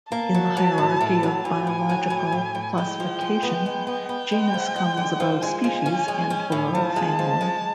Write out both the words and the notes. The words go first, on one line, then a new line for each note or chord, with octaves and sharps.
In the hierarchy of biological classification, genus comes above species and below family.
A#3 A5
F#3
F#3
A2
A2
F#3
A2 G#5
A2
F#3
A2
A2
A2
G#3 G5
F3
G#3
B3
G#3
B3
B3 G5
G#3
F3
G#3
D3
F3
G#3 G#5
F3
C#4
G#3
C#4
A2
F3 A5
G#3
F3
G#3